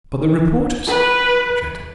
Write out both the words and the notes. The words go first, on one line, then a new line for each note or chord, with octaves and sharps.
"But the reporters," I objected.
B4